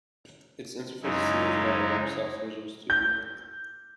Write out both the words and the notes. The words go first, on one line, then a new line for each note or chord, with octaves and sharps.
Its interface is similar to that of Microsoft's Visual Studio.
F#2 C#3 G#3 D#4 E4
G6